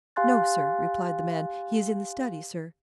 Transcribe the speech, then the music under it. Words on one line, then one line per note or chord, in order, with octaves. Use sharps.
"No, sir," replied the man; "he is in the study, sir."
G4 F5 G#5 C6 F#6 A6